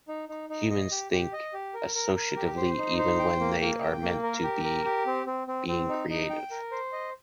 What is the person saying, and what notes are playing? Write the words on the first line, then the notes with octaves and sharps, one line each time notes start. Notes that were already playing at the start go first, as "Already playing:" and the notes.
Humans think associatively, even when they are meant to be being creative.
D#4
D#4
D#4
D#5
G4
G4
D#5
G4
A#4
A#4
A#4
G4
C5
D#4
C5
G5
A#3
A#3
G5
A#3
A#4
G4
A#4
G4
C4
C4
C4
C4
D#4
D#4
G5
A#4
C5
D#5